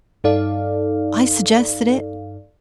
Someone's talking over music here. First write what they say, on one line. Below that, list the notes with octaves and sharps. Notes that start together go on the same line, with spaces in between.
I suggested it.
G2 D#4 A4 D5 F5